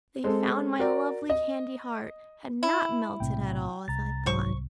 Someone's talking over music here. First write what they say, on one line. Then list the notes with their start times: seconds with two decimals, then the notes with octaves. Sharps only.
They found my lovely candy heart had not melted at all as I thought.
0.24 G#3 C4 A4
0.79 F#4 A#4 D5
1.29 D#5
2.63 E4
3.20 B1 A2 C3 G5
3.88 C2 A#5 A6
4.26 G#1 G#2 F#3 C5 C#6